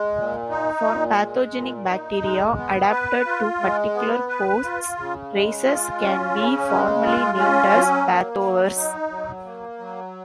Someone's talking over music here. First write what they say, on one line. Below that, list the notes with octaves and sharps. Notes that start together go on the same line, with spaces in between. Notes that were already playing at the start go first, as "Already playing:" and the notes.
For pathogenic bacteria adapted to particular hosts, races can be formally named as pathovars.
Already playing: G#3
A#2
D#4
A#2
G#3
A#2
D#4
G#3
B3
B4
F4
G#3
B3
B4
F4
C#3
G#3
F4
C#4
C#3
G#3
F4
C#4
F#3
A#3
F#3
D#4
F#3
A#3
F#3